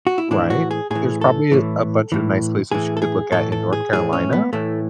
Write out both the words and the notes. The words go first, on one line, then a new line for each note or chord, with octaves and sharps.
Right. There's probably a a bunch of nice places you could look at in North Carolina?
F#4
E4
A2 E3 D4
F#4
G#4
A2 E3 G#4
A4
A2 E3
A2 E3
A2 E3 G#4
A4
G#4
A2 E3 A4
A4
G#4
A2 E3 G#4
C#4
B3
A2 E3 A3